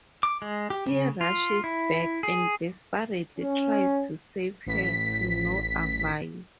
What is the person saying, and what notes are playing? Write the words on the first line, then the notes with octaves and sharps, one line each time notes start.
He rushes back and desperately tries to save her, to no avail.
D6
G#3
G4
C#3
F4
E4
G#4
C#4
A1 B6